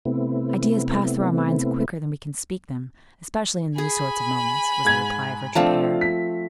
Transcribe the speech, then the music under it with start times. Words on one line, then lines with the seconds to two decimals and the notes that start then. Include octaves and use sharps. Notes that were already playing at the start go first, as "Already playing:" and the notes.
"Ideas pass through our minds quicker than we can speak them, especially in these sorts of moments," was the reply of Richard Hare.
0.05 C3 A3 B3 C4 E4
3.78 G#4 G#5 B5
4.85 G#2 G#6
5.55 F3 A3 C4 D4 F5 A5
6.01 B6